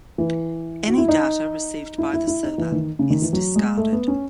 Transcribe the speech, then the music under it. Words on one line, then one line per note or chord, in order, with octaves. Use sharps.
Any data received by the server is discarded.
E3
F#4
E4
D#4
E4
E4
E4
D#4
E3
D#3
C#3
D#3
E3
F#3
G#3
A3
B3
C#4